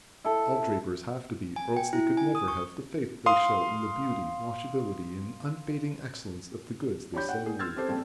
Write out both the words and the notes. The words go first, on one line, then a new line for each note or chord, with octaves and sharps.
All drapers have to be, or else they could never have the faith they show in the beauty, washability, and unfading excellence of the goods they sell you.
E4 A4
G#5
G5
E4
G#5
D#6
C#6
F5 C6 D#6
D4 G4 C#5 B5 G6
C#5 F#5 G5
A#2 G#4
C6 E6 F6 G#6 A6
C4 G4 A4 C5
A#1 F2 C4 A4